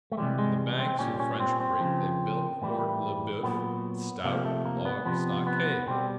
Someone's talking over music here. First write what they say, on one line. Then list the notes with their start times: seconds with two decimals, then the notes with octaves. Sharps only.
On the banks of French Creek they built Fort Le Boeuf, a stout log-stockade.
0.12 A3
0.17 C3 E3 G3 G#3
0.38 G#3
0.79 C4
0.99 A#2 G3 C#4
1.20 C#4
1.40 C4
1.60 C4
1.80 C#3 F3
2.62 A2 E3 G3
3.43 A#2 F#3 B3
4.24 C3 F3 A#3
4.45 A3
4.66 A#3
4.85 B3
5.05 C3 F3 B3
5.47 B3
5.87 B2 G3 C4